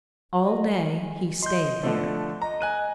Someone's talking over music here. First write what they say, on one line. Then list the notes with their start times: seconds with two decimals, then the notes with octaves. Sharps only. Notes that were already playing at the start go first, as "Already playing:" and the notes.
All day he stayed there.
0.43 D#5
0.73 G#5
1.43 D#5 C6 G6
1.83 D3 F3 A3
2.42 D#5 A#5
2.61 G#5 F#6 D#7